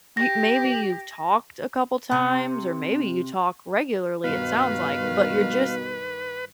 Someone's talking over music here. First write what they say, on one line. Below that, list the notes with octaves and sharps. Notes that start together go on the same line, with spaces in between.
y maybe you've talked a couple times- or maybe you talk regularly, it sounds like- but you're just
G4 A#6
C3
G2 B2 D#3 B4 F5